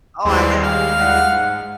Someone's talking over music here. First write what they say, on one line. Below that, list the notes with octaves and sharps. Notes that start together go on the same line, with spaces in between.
Oh, I know, I know.
D#2 E3 G3 G#3 C4 D4
F5 F6
F#5
G#2